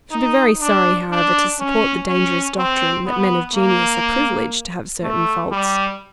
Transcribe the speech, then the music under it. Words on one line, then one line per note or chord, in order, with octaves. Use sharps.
I should be very sorry, however, to support the dangerous doctrine, that men of genius are privileged to have certain faults.
D#4
D4
D4
C#4
C#4
C4
B3
A#3
A3
G3